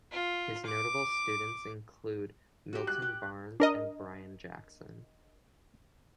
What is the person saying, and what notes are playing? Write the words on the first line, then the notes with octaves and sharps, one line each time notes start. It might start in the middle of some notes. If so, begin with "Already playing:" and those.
His notable students include Milton Barnes and Brian Jackson.
F4
D6
F#4 G4
F#6
G4
D4 A#4 D#5